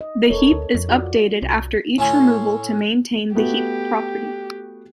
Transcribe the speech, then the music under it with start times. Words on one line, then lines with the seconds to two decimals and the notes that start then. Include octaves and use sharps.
The heap is updated after each removal to maintain the heap property.
0.01 D#5
0.30 E1 A4 A#4 C#5
0.52 D2
0.74 F2
0.89 F4 F#4 D5
1.42 C2
1.98 A2 C#4 G#5 C6
3.35 A3 B3 F#4 G4